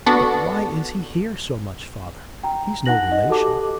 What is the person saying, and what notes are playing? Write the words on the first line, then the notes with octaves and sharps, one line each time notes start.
But why is he here so much, father, he's no relation.'
B3 D4 F#4 A4
G5 A#5
D#4 F#5 G#5 F#6 A#6 F#7
D#5
F#4 G4 A4 A5 D6